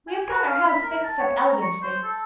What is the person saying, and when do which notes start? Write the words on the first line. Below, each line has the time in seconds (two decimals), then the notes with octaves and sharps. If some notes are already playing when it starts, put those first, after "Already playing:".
We have got our house fixed up elegantly.
0.07 G#5
0.30 F#4
0.48 F5
0.68 B5
0.82 A#4
1.04 A5
1.19 C#5
1.37 C#5
1.49 A#5
1.61 C#6
1.82 C5
2.03 A4